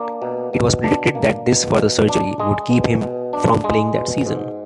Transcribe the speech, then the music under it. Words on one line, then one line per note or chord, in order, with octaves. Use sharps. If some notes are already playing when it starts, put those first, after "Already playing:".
It was predicted that this further surgery would keep him from playing that season.
Already playing: A#3 D4 D5
B2
B2
D4
A#3
B2
B2
D4
G#3 D#5
B2
B2
D4
G#3
B2
G#2